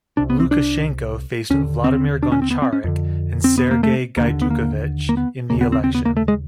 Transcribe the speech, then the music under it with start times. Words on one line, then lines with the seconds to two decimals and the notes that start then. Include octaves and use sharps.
Lukashenko faced Vladimir Goncharik and Sergei Gaidukevich in the election.
0.17 C2 C3 D4
0.30 B3
0.40 C4
0.51 D4
1.50 D#2 D3 C#4
1.84 C4
2.23 D4
2.32 C#4
2.42 C4
2.51 B3
2.62 C4
2.73 C#4
2.84 F2 D3
3.44 C4
3.58 B3
3.71 A#3
3.83 A3
4.17 D#2 D3 A#3
4.42 B3
4.50 A#3
5.09 A#3
5.17 B3
5.50 D#2 C#3 A#3
5.61 B3
5.72 C4
5.84 C4
5.95 B3
6.05 A#3
6.17 A3
6.28 G#3